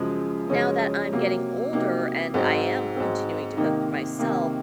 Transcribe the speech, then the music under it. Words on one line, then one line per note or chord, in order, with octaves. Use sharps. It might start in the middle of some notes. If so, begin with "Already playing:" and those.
now that I'm getting older and I am continuing to cook for myself,
Already playing: F#2 C#3 F3 G#3
F#2 C#3 F3 G#3 C#4
C3 F#3 A#3
C3 F#3 A#3 D#4
G#2 F#3 C4
G#2 F#3 C4
C3 D#3 A#3 D#4
C3 D#3 A#3